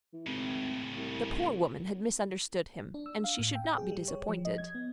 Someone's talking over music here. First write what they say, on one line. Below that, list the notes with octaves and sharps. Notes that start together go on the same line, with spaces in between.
The poor woman had misunderstood him, and she should not be disappointed.
E3
G#1 A2 C#3
C2
D4
E6
F5
A2
G5
G#4
G3
C#5
F3
D#5
G#6
B3